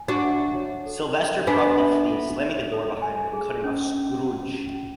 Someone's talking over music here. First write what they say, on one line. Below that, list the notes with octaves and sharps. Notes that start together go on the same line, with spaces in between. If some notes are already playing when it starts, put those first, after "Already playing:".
Sylvester promptly flees, slamming the door behind him and cutting off Scrooge.
Already playing: G#5
D4 F#4
E5
C#5
A4
E5
B3 D4 G#5
E5
A4
E5
A4
G#5
G#4
C#4
C#4
F#5
C#4